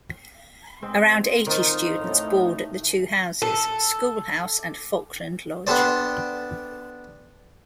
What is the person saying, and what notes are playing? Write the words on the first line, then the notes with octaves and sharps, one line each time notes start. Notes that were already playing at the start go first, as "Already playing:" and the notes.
Around eighty students board at the two houses; School House and Falkland Lodge.
G#2 G#3 C4
D#3 D#4 F4 C5
A2
A4
B3 D4 G4 A4 C5 D5